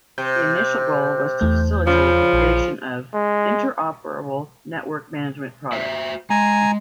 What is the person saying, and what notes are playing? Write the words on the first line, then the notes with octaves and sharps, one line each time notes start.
The initial goal was to facilitate the creation of 'interoperable network management products'.
C3 G6
E2 A3 G6
C#3 F3
A#1
G#3
F#4 C5 E5
G#3 G#5 A#5